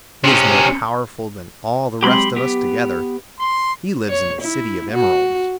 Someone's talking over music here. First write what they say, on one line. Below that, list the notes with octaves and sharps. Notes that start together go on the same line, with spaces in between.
"He is more powerful than all the rest of us together. He lives in the City of Emeralds."
C3 C#4
F#3 G#3 C4 G4 B5 C6
B3 G4
C6
C#5
E4
F#4